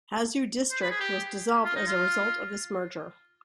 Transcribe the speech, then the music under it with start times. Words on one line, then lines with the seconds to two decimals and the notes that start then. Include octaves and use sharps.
Hazu District was dissolved as a result of this merger.
0.71 C5
0.82 B4
0.91 G#4
1.00 G4
1.65 F4
1.76 D#4
1.87 F4